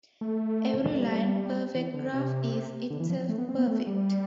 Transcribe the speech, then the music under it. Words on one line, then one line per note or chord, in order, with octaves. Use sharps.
Every line perfect graph is itself perfect.
A3
A3
G3
E3
D3
C3
D3
E3
F3
A3
B3
C4
B3
A3
G3